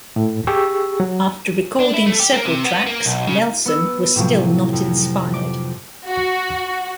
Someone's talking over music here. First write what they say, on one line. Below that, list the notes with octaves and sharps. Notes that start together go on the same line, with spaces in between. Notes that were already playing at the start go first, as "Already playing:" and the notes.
After recording several tracks, Nelson was still not inspired.
A2
G4 G#4 C#6 E6
F#3
D4
E4
A3
G4
A#3
C3
B3
A#3
B1
C#3
B3 E6
A2 C3 F3 F#3
F2
D6
F#4